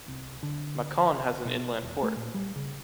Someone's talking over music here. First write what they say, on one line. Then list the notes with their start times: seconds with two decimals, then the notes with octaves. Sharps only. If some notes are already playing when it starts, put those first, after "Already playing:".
Mâcon has an inland port.
0.08 C2
0.43 D3
1.45 B2
1.83 D#1
2.03 A3
2.16 A#2
2.34 G3
2.56 C#3